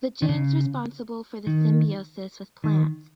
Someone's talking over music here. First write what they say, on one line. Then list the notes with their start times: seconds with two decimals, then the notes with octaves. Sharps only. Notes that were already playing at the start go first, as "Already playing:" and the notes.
The genes responsible for the symbiosis with plants.
0.22 D#3
0.29 C#3
1.47 D#3
2.64 D#3